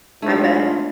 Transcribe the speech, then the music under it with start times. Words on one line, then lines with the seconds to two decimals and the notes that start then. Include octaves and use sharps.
I bet.
0.22 G#2 A3 B3 D4 F4